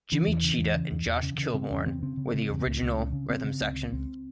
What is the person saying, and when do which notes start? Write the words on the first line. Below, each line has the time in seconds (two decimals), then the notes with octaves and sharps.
Jimi Cheetah and Josh Kilbourn were the original rhythm section.
0.12 C#3 E3
0.27 E2
0.43 C#3
0.58 E2
0.74 C#3
0.91 E2
1.06 E2
1.23 C#3
1.38 C#3
1.54 C#3 C4
1.70 E2 C#4
1.86 C#3 C4
2.02 C#3 C4
2.17 C#3
2.34 C#3
2.49 E2
2.66 C#2
2.82 C#2
2.97 C#3
3.12 C#3
3.29 C#3 C4
3.44 C#3
3.60 C#2
3.76 C#3
3.92 C#2 C4